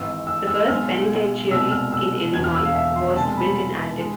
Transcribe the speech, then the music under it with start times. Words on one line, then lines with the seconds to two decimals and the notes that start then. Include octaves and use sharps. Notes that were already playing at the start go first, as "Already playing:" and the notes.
The first penitentiary in Illinois was built in Alton.
Already playing: G#1 G#2 E3 E6
0.27 E6
0.47 E6
0.68 B1 B2 G#3 F6
1.51 C2 B2 G#3 E6
1.71 F6
1.92 E6
2.34 E1 E2 B2 G#6
2.44 F6
2.54 E6
2.65 F5
2.75 E5
2.96 C6
3.16 C2 B2 G#3 A5
3.37 B5
4.00 G#3